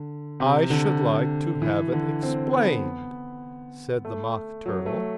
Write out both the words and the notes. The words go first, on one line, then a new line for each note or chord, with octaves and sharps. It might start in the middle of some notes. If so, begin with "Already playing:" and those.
'I should like to have it explained,' said the Mock Turtle.
Already playing: D3
C3
D3
E3
D3
C4
B3
A3
F#3
A3